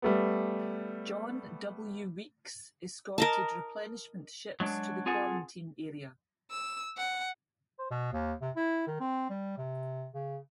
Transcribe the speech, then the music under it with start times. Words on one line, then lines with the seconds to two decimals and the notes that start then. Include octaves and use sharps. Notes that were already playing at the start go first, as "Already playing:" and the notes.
"John W. Weeks" escorted replenishment ships to the quarantine area.
0.02 G3 A3 B3
3.18 A#4 D#5 A5
4.60 F#3 G#3 D4
5.06 C4 F4 G#4 A4 F#5 G#5
6.51 E6
6.98 F#5
7.79 C5
7.91 B2
8.13 D#2
8.41 C3
8.56 E4
8.87 D#3
9.00 C4
9.30 G3
9.58 C3
10.14 C#3